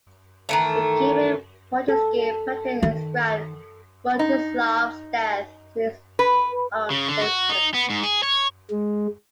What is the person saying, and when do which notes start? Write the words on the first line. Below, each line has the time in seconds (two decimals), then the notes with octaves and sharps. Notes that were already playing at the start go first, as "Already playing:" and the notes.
The Kievan-Pechersky Paterick ascribed Rostislav's death to his own haughtiness.
0.49 D#3 E3 A3
1.88 A4
2.83 D#3
4.19 D#4
6.19 B4
6.90 C#3
7.08 D3
7.21 F#4
7.49 D#4
7.74 B3
7.90 G#2
8.03 G#4
8.23 C#5
8.70 G#3